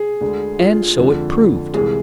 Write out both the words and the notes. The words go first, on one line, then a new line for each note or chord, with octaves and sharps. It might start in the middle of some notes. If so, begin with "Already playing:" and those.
And so it proved.
Already playing: G#4
D2 D3 G#3
F4
F2 D3 G#3
C2 C3 E3 G#3 G#4